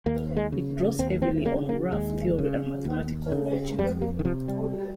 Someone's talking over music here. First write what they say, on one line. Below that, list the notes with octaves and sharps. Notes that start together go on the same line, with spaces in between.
It draws heavily on graph theory and mathematical logic.
D#2 A#3
G#3
C#3
D#2 C4
C4
C#3 A#3
A#3
D#2 G#3
C#3
D#2
C#3
F2 G3
A#3
D#3
C3 F3
G3